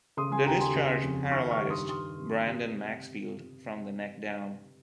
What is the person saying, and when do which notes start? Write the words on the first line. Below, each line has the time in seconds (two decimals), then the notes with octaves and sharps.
The discharge paralyzed Brandon Maxfield from the neck down.
0.17 C#3 C6 D#6
0.32 G#5 C6
0.46 D#2 G5 A#5
0.60 G#5 C6
0.75 C#3
1.03 F2
1.32 D#3 C#6 F6
1.51 C#6 F6
1.61 G2
1.70 C6 D#6
1.89 G3 C6 D#6
2.18 C3
2.47 C3